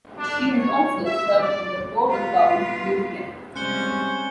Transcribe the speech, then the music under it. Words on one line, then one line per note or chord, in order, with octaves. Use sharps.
She has also served on the board of Bowls New Zealand.
D4
C#5
E5
D5
B3 F4
C3 G3 G#3 C#4 C5 F#6 C#7 G7